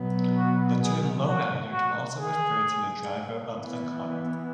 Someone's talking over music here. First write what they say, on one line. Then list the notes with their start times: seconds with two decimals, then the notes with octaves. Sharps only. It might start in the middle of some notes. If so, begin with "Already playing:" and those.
The term "lowrider" can also refer to the driver of the car.
Already playing: B2 F#3 B3
0.37 F#4
0.82 G#4
1.28 F#4
1.72 F#4
2.17 G#4
3.52 E3 B3